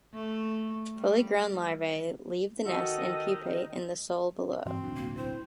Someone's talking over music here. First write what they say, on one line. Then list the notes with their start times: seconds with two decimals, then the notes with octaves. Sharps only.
Fully grown larvae leave the nest and pupate in the soil below.
0.14 A3
0.97 G3
2.66 D#3 F#4 A4 D#5
4.65 G2 E3 C4 F#4
4.84 D1 B1 D4
4.96 A#3
5.17 C4 E4 C5